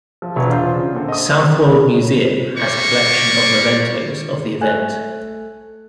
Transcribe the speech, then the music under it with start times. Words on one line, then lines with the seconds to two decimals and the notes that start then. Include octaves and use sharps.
Southwold Museum has a collection of mementos of the event.
0.22 F3
0.36 E1 B3 C#5
0.51 D4 F4 C5
0.75 C#3
0.93 A#2 D3 C4
1.08 D#5 D#6
2.57 G3 A#3 D5 C#6
4.61 A3 G#5 F#6